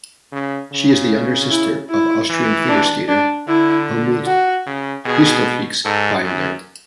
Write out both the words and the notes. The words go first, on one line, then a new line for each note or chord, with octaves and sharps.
She is the younger sister of Austrian figure skater Helmut Kristofics-Binder.
C#3
C#3
E4
E4
E3
D4
D4
D3 E4
F#4
C#3
B2 G#4
G#2 A4
F#2